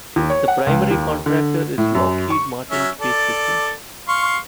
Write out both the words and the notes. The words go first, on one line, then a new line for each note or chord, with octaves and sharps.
The primary contractor is Lockheed Martin Space Systems.
D#2
C#5
F#5
C#2
D#2
D3
A2
F#2
C#6
F#3 C#4 E5
A4 D5
F5 C6 C#6